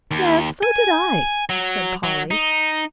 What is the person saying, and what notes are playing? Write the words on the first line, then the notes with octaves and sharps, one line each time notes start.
"Yes, so did I," said Polly.
D#2
G#5
F#3
F#3
D#4